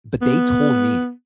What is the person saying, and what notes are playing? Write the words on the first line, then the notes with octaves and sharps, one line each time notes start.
But, they told me,
B3